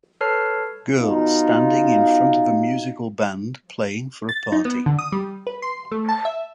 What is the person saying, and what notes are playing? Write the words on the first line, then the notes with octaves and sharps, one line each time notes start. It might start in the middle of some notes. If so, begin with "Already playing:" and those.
Girl standing in front of a musical band playing for a party.
A4 B4 C#5 A5 F6 C7
B2 D#4 F4
A6
D#4
B3
D3
D#6
G3
B4
C6
A3
A5
E5